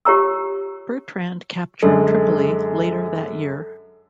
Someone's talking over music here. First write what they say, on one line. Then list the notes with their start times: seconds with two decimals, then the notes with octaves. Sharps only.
Bertrand captured Tripoli later that year.
0.05 F4 G4 C#5 A#5 E6
1.83 F#2 D3 G#3 A4